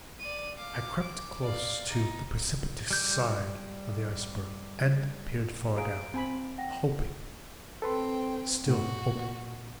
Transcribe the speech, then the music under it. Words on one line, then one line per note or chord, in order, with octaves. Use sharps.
I crept close to the precipitous side of the iceberg, and peered far down, hoping, still hoping.
D5 D#7
F5 D6
D6
D5 F5
D#4
G3 G6
G#4 F5 A#5 D7
C4 G#5 B5
F#5 G5 A#6
C4 A4 B4 G5 C6
A2 F#4
A#2